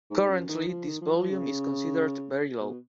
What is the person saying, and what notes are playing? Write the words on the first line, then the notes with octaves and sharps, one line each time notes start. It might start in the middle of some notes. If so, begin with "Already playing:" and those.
Currently, this volume is considered very low.
G#2
F#2
D#3
F3
D#3
F3
F3
C#3
B2